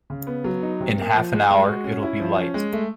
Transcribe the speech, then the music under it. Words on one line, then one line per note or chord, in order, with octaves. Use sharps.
In half an hour it'll be light.
C#3
B3
F#3
D#4
C3
A#3
F3
G#3
G#3
F#4
C#4
E4
F3
C#4
G#3
A3